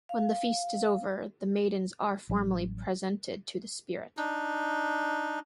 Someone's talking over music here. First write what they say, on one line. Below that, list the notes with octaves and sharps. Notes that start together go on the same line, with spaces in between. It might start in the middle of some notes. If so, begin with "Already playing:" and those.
When the feast is over, the maidens are formally presented to the spirit.
F5
A1 F#3 G3
D4 D#4